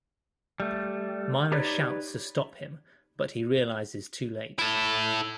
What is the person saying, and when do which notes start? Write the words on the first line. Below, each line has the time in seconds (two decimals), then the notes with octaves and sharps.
Myra shouts to stop him but he realizes too late.
0.60 G3 A3
1.52 D#4 G4 B4 C#5 D5
4.59 E4 A4